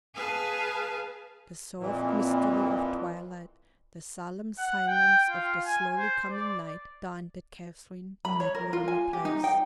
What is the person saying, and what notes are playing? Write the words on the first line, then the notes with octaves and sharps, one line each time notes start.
The soft mystery of twilight, the solemn silence of the slowly-coming night, daunted Catherine in that lonely place.
G#4 B4 F5 G#5 A5
F2 A#2 E3
F#5
G5
F4
G#5
C5
D5
B5
C#5
A#4
F4
G#5
G4
D#4
G5